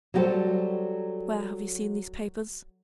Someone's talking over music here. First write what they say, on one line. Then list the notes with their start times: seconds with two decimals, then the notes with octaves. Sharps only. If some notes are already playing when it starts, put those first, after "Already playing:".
"Where have you seen these papers?"
0.14 F#3 G3 F#4 G4 A4 C5